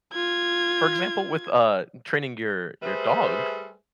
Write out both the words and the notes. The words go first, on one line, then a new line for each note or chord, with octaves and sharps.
for example, with, uh, training your your dog,
F4 G#6
G3 A3 G#4 B4 C5 E5